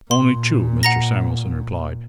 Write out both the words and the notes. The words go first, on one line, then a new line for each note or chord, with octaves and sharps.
"Only two," Mr. Samuelson replied.
A#2 C6
F#5 A#5 A#6